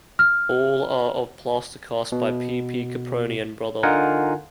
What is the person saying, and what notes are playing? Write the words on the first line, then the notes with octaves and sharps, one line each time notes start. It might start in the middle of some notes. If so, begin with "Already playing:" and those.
All are of plaster cast by P. P. Caproni and Brother.
F6
B2
D3 D#4 F4 A#4 F#5 G#5